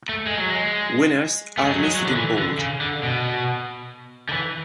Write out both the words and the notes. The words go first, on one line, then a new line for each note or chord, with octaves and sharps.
Winners are listed in bold.
A3
G#3
F#3
G#3
A3
G#3
F#3
G#3
F#3
D3
E3
D3
C#3
D3
B2
D3
E3